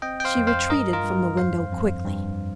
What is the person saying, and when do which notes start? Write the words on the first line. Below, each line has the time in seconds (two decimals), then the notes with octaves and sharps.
She retreated from the window quickly.
0.02 C4 D#5 G5
0.20 G5
0.25 C5 F5
0.37 F2
0.47 C5 F5
0.70 G2 A#4 D#5
0.93 F4 A#4
1.03 G2
1.37 F2 C5 F5
1.72 F2
2.05 G2